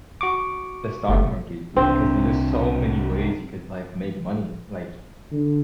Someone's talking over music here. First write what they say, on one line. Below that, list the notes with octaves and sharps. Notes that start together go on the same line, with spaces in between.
the stock market, like, 'cause there's just so many ways you could, like, make money, like,
F#4 C#6 D6
G1 G3 A3
C2 C4 D4
D3